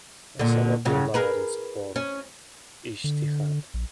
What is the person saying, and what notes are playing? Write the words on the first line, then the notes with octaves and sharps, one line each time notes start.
Osama Bin Laden supported "ijtihad".
A#2 D3
G2 C#3 F#3
G#4 A#4 B4
C#4
D3
A#1